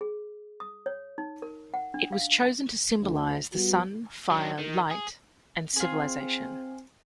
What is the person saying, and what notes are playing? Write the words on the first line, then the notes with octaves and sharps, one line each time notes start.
It was chosen to symbolize the sun, fire, light, and civilization.
G#4
D#6
C#5
D#4
A#4
F#5
D4
F5
D2
G3 B3 F#4
F#3 D4
D#3
G#4
C4 F4 G#4